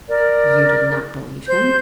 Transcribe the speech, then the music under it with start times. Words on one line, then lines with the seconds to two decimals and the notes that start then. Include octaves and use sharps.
"You did not believe him?"
0.09 A#4 D5
1.47 C5 G6